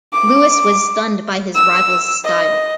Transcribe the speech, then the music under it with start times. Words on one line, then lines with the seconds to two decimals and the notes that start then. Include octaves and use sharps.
Louis was stunned by his rival's style.
0.13 D6
1.55 E6
2.24 D#5